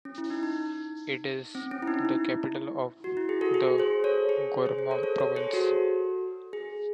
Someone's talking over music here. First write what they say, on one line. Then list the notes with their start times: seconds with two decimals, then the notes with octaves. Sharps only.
It is the capital of the Gourma province.
0.05 C#4
0.18 E4
0.30 D#4
0.43 D#4
1.55 C4
1.71 C#4
1.82 E4
1.87 D#4
2.05 E4
3.04 F#4
3.17 E4
3.29 G#4
3.41 F#4 A4
3.54 G#4
3.78 G#4 C5
4.04 A4 C#5
4.29 G#4
4.66 G#4 C5
4.78 G#4 C5
4.91 A4 C#5
5.03 A4 C#5
5.20 A4 C#5
5.36 G#4 C5
5.53 F#4 A4
6.53 G#4